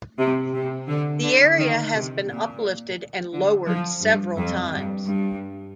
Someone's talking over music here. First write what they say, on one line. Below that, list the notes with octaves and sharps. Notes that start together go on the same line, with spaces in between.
The area has been uplifted and lowered several times.
C3
C3
D3
D3
D#3
C3
A#2
D3
F3
G2
F2
G2
G2